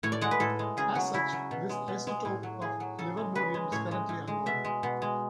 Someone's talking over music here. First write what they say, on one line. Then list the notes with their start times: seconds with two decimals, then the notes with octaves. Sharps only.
As such, this isotope of livermorium is currently unknown.
0.03 A2 C#5
0.12 D5
0.21 G#3 F#5
0.31 B4
0.40 A2 A4
0.59 G#3
0.77 C#3 G#4
0.95 F#3 F#4
1.14 C#3 E4
1.33 F#3
1.51 B2
1.69 G#3
1.88 B2
2.07 G#3
2.25 A2
2.43 F#3
2.62 A2 G#4
2.80 F#3
2.99 C#3 A4
3.17 G#3
3.35 C#3 B4
3.54 G#3
3.72 A2 C#5
3.91 G#3
4.09 A2
4.27 G#3
4.46 B2 E5
4.65 G#3
4.83 B2
5.02 G#3